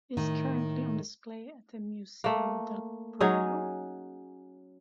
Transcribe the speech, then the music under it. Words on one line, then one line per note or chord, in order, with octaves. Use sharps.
It is currently on display at the Museo del Prado.
A2 D#3
A3 A#3
F#3 C#4 D#4 G#4